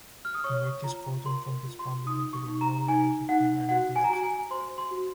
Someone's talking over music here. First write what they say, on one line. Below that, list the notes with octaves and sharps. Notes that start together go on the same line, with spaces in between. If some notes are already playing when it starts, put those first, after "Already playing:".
He made his fortune from his founding of the renewable energy firm Energy Absolute.
F6
D#6
C#5 C#6
F4 A#5
A#4 C6
F4
C6
D#4 D#6
C#6
D#4
A#5
D#4 G#5
D#4 F#5
F#4 F#5
G#5
A#5
F#4 G#5
G#5
C5 C6
C6
F#4